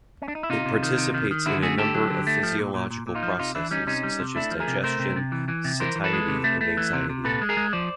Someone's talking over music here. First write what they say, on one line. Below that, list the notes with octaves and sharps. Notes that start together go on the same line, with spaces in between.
It participates in a number of physiological processes such as digestion, satiety and anxiety.
C#4
D4
D#4
E4
C3 D#4 F4
C3
D#3
C3
D#3
D#3
D3 E4 F#4
A3 F#4 G#4
D3 G4 A4
F#3
D3
A3
F3
A#2
A#2
A#2
A#2
D#4 F4
F3
C3 D#4 F4
E3 D4 E4
G3 C#4 D#4
C3 C#4 D#4
G3
C3
A3 D4 E4
F3
G#4 A#4
C3
A3 A#4 C5
C3
C3
E3
E3
C3
E3 A#4 C5
E3
A4 B4
G#3
C3
A3
A3
E3
C3
C3
A#2 A4 B4
G#3
G#4 A#4
G#3
F3 C5 D5